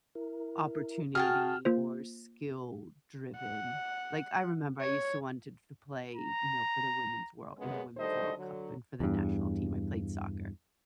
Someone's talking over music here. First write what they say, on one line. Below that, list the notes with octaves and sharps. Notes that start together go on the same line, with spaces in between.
opportunity or skill-driven. Like, I remember I used to wanted to f play, you know, for the Women's World in the Women's World Cup, and for the national team I played soccer.
E4 A#4
F#4 G#4 G5 A5 F6
A#3 F4 C5
F#5
C#5
A#5
F#2 C#3 G#3 B3 G#4
D2 D#3 G3 A4 C5 D#5
D3 F#3
E2 G2